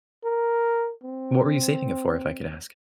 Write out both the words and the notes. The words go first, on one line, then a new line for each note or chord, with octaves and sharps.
What were you saving it for, if I could ask?
A#4
C4